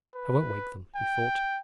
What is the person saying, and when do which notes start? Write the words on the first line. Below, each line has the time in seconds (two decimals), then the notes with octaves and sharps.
'I won't wake them,' he thought.
0.15 B4
0.96 G5